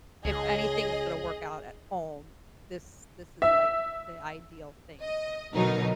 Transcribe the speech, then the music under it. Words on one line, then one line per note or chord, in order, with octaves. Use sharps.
if anything was gonna work out at home, this this is, like, the ideal thing for it to be.
C#2 G#4 D#5
E5
D#5
B2 D3 F#3 D#4 A#4